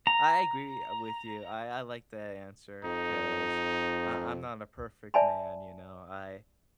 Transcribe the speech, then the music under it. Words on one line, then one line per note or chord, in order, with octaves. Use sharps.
I agree, uh, with you. I I like that answer because I I'm not a perfect man, you know. I
A#5
F2 D#4
D5 E5 G#5 A5 B5